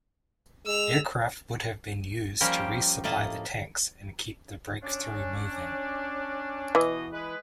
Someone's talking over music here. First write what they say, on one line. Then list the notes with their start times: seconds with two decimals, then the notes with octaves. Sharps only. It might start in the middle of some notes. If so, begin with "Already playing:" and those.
Aircraft would have been used to resupply the tanks and keep the breakthrough moving.
0.66 G#3 E6 F7
2.41 F3 G3 A#3 C#4 G4 A#4
3.04 A2 A#3 D#5 A5
4.82 C#4 D4
6.75 B2 E3 D#5
7.12 G#3 B4